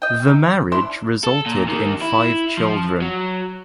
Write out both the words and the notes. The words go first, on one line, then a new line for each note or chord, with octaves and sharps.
The marriage resulted in five children.
D#5 G5
D#4
D4 E4 C6
A4
A#2
D#3 A#3
E4
F3
F#3